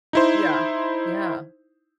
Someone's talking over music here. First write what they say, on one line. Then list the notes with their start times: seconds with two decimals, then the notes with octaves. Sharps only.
Yeah, yeah.
0.13 D#4 E4 C5